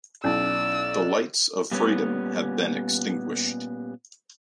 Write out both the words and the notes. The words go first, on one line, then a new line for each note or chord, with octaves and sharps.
The lights of freedom have been extinguished.
B1 C#4 D#4 E4 D5 E6
A#2 G3 B3 C#4